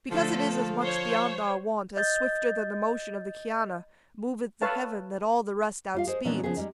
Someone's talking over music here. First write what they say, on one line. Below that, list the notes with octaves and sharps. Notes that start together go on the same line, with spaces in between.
Because it is as much beyond our wont, As swifter than the motion of the Chiana Moveth the heaven that all the rest outspeeds.
D3 F3 A3 A4
C5 C#5
D#5 G6 A6
A4 B4 C#5 F5 A5
G3 F4 F5
G#3 G#4 C5
A#2 E3 G#3 B3 C#4 D4
C#3 F3 B3 G#4
G3 G#3 D#4